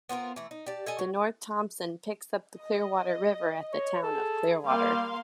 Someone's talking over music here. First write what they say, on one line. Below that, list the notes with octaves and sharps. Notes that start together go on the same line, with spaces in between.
The North Thompson picks up the Clearwater River at the town of Clearwater.
B3 C4 F4 A#4
E3 A3
D#4
G4 D5 A5
A4 D#5 G#5 A5
F#3
D#5
C#5
G#4 A4
G3 A#3 F5 C6